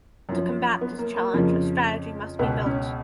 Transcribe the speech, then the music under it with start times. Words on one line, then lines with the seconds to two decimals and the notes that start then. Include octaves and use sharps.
To combat this challenge, a strategy must be built.
0.29 F#2 F3
0.81 B3
0.99 A#3
1.16 A#3
1.34 F2 C#3 F3
2.39 C#2 B2 B3
2.66 C#4